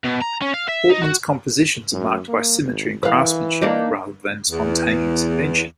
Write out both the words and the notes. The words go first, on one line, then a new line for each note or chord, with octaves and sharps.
Hauptmann's compositions are marked by symmetry and craftsmanship rather than spontaneous invention.
B2
A#5
C#4
F5
E5
D#4
F#4
F#2
A#3
G#1
E3 B4 F5
A#3 D4 D#4
E2